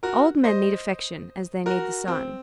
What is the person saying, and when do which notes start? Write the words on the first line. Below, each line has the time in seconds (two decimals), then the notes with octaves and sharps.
Old men need affection as they need the sun.
0.03 F#4 A#4
0.44 C5 D#5
1.66 F#4 A#4
2.08 C4